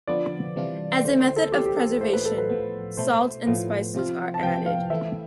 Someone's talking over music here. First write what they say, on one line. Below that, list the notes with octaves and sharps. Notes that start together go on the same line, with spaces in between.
As a method of preservation, salt and spices are added.
D3 F3 B3 D5
C3 E3 G3 D4 F4
D3 A3 E4 C5
C5
A4
E3 G3 D4 G4
G4
A4
A2 E3 A3 D4 F4 C5
B4
A4
B4
A2 F3 B3
B2 A3 E4 C5
A2 F3 B3
C3 F3 C4 F4
A5
C3 F3 B3 G5
F5
E3 A3 E4 E5